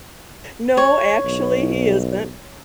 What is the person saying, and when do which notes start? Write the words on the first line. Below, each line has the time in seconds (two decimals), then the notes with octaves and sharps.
No, actually, he isn't.
0.77 C#5
1.25 B1